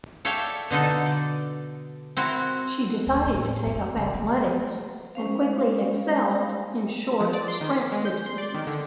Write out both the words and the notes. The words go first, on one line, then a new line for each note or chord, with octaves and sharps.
She decided to take up athletics and quickly excelled in short sprint distances.
A4 C#5 D5 E5 F5 G5
B2 D3 D#4 A4
D5
C4 E4 F#4 A#4
D#2
A2
F2
C#3
G#3
G#3 C#4 C5 F5
F3
D5
C6
D#3
G#3
G6
C6
D5
D#3
D3